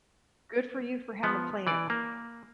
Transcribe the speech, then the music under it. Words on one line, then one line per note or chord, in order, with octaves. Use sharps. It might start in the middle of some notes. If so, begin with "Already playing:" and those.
Good for you for having a plan.
F3 B3
E3 D5
A#3